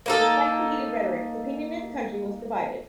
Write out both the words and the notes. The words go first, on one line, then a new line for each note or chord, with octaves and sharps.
Despite the heated rhetoric, opinion in the country was divided.
A#3 D#4 A4